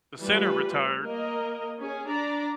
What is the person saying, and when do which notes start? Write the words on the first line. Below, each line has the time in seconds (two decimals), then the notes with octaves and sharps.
the center retired. Ra
0.21 E3 G3 A3 F4 G4 B4
1.03 A#3 A#4 D#5
1.78 C#4 G#4 G#5
2.08 D4 D5 A#5